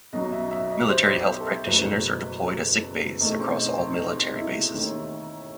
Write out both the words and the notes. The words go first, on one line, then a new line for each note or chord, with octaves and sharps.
Military Health practitioners are deployed at Sick Bays across all military bases.
B1 B2 F#3 D#5
E5
E5
D#5
C5
G4
A4
F#1 E2 B2 F#3 A3 B4
A4
E2 B2 A3 D#4
C4
D#4
C4
D#4
E4
D#2 D#3 A3